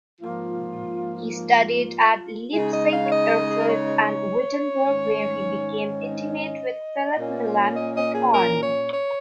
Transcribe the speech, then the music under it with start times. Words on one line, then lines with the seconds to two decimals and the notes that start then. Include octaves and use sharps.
He studied at Leipzig, Erfurt and Wittenberg, where he became intimate with Philipp Melanchthon.
0.20 G#2 F3 A#3 F4
1.37 F4
2.53 C#3 G#3 D#4 G#4
2.72 D#5
2.92 F5
3.05 C#5
3.11 D#5
3.50 G#4
3.60 A#4
3.69 C#5
4.85 G#2 D#3 C#4
6.02 D#5
7.17 A#2 A#3 C#4
7.76 D#5
7.95 D#5
8.14 G#4
8.33 A#4
8.62 C#5
8.93 C#5